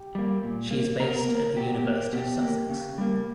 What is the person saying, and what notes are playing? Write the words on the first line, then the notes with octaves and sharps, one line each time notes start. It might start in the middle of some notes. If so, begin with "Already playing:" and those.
She is based at the University of Sussex.
Already playing: G4
G3 A#3
A#2
A#3
B2 A#4
A#4
A#3
A#4
B2 G4
G4
A#3
B2 G4
A#3
C#3
G3 A#3